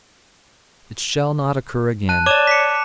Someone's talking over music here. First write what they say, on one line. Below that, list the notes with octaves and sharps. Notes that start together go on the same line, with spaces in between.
'It shall not occur again.
A5 F#6 D#7
C#5 D5 D6 E7 F7
B6 C#7